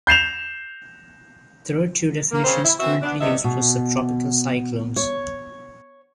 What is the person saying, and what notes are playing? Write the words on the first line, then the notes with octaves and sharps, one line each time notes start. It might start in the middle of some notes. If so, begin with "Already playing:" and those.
There are two definitions currently used for subtropical cyclones.
G6 C7 E7 F7
A#3
C#3 C4 C5
E4
C4 C#4 F#4 B4 C5 E5
B3 D4
E2 C3 D#3 G3 D#5 E5
B2
C#5